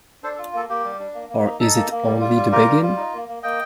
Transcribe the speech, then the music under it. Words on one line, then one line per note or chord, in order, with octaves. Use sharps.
Or is it only the begin-?
D4 A4 C5
A4
F4
A#3 A4
A#3 G4
G3
D4
A#3
A#3
D#4
D#4 A4
A#3
A#3
G3
F4
G3
F4 G4 A#4
G3
F4
D#4
A#3
A#3
A#3 D#5 G5